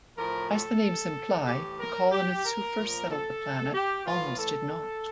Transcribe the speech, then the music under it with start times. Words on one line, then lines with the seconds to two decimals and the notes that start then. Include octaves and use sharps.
As the names imply, the colonists who first settled the planet almost did not.
0.17 A2 F3 A#4
0.49 A4
1.46 A2 E3 G4
1.79 A#4
2.11 G4
2.44 A#4
2.76 A#2 F3
3.09 A4
3.74 G4
4.06 A2 E3 F4
4.38 A4